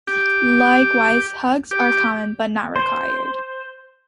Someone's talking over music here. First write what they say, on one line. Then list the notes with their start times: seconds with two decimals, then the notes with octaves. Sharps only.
Likewise, hugs are common but not required.
0.07 G4
1.71 G4
2.76 C5